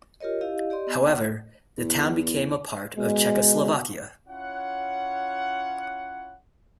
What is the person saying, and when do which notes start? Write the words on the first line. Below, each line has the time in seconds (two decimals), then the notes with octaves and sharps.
However, the town became a part of Czechoslovakia.
0.20 F4 G4 A#4 C#5 D#5
0.41 E4 G4 D#5 F5
0.70 G4 D5 D#5 C6
0.87 B3 D#5 G#5
1.78 E2
2.98 B2 G#3
4.28 C#4 E4 F4 C#5 F#5